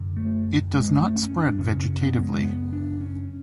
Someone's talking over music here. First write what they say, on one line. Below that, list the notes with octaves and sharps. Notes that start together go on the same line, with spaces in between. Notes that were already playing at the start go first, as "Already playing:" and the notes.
It does not spread vegetatively.
Already playing: F#2 D3
A3
G#3
A3
C#4
D4
F#2 C#3 C#4
C#4
B3
G#3
B3
D4
C#4